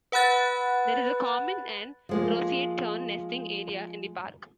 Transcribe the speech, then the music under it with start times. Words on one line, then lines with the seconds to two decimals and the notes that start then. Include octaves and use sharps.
There is a common and roseate tern nesting area in the park.
0.12 B4 F#5 B5 F#6 A6
2.09 F3 G#3 A#3